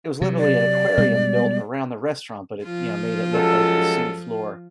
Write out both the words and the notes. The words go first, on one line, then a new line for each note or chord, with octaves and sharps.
it was literally an aquarium built around the restaurant, but it, you know, made it look like the seafloor.
C3 F#3
D5
B2 G3 G#3
F3 F4
F#2 G#3 A4